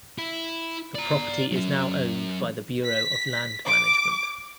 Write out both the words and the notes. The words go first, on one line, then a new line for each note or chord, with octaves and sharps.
The property is now owned by the Bureau of Land Management.
E4
D5 A#5
F#3 C#4
B6
D6